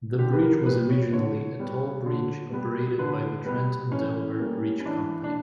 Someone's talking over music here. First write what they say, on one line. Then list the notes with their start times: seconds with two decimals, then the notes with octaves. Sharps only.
The bridge was originally a toll bridge operated by the Trenton Delaware Bridge Company.
0.19 D3 G4
0.32 B4
0.42 A#4
0.66 G3 B3 B4
0.89 C#5
1.12 D3 C#5
1.59 G3 B3
2.06 D3
2.52 G3 B3
2.99 D3 B4
3.45 G3 B3 B4
3.92 E3 C#4
4.39 G3 A#3
4.80 C#4
4.85 E3 D4
5.24 D4